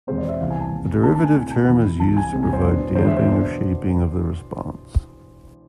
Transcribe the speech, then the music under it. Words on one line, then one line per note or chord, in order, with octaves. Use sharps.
The derivative term is used to provide damping or shaping of the response.
E2 B2 G#3 C4 C5
D5
E5
C2 C3 E3 B3 F5
G#5
A5
C2 C3 E3
D2 D3 A3 D4 A5
A5
G#5
B2 A3 C4 E4 G#5
A5
E2 B2 B3 E4 B5
C2 C3 E3 A5
G#5
C2 C3 G#3 C4
G#5
C5
B2 B3 D4
E2 D3 G#3 D4 C5
E5
C5
B2 B3 D4